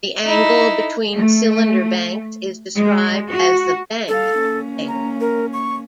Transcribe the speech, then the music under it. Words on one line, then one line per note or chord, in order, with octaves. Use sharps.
The angle between cylinder banks is described as the "bank angle".
D#4 E4
A3
G#3
F#4
G3 A4 F5
A#3 C#4
A#5
A#4
C#6